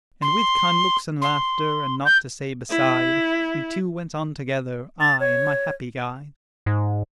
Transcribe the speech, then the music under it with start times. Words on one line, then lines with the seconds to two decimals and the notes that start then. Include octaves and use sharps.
And with kind looks and laughter And nought to say beside We two went on together, I and my happy guide.
0.22 C6
1.21 C6
2.05 G6
2.70 E4
5.01 A6
5.20 C#5
6.66 G#2